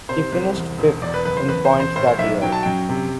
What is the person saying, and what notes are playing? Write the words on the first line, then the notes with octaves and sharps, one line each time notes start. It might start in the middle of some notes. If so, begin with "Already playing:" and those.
He finished fifth in points that year.
C3 C5
C2
E2
E1
E2 D5
B4
F#1 B4
C5
E2 B4
C5
E1
C5
A2 C5
C5
B1 E5
F#3 G5
A5
F#2 G5
C3